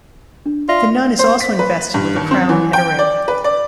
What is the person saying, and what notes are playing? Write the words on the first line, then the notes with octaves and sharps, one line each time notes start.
The nun is also invested with a crown and a ring.
D4
F4 D5 E5 A#6
C5
B6
B4
G2
D#2
C4
E3
G5
D5
B4
D5